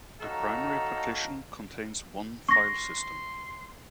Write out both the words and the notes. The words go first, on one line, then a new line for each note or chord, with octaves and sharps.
A primary partition contains one file system.
A2 D#4 F#4 A4 F5 A#5
C6 C#6 A#6